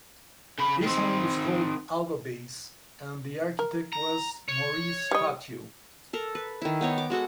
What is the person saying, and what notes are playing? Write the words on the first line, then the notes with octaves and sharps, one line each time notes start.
This home was called "Alva Base" and the architect was Maurice Fatio.
C#3 B5
D#3 C4
A#4
A#5
C#5
G3 D#5
A4 A#4
B4
D#3 E4
B3 D#4 C#5
D6
G#3 F#4 A4 F#5